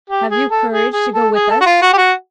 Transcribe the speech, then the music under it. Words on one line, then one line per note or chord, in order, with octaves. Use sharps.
Have you courage to go with us?
G4
G#4
A4
G#4
G#4
A4
G#4
A4
F#4
F4
F#4
G4
F#4